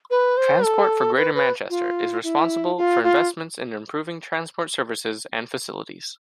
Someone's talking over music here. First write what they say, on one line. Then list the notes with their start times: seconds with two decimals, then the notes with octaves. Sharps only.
Transport for Greater Manchester is responsible for investments in improving transport services and facilities.
0.10 B4
0.37 C5
0.64 A4
1.17 B4
1.35 B4
1.70 F4
2.24 E4
2.77 F4
3.04 F4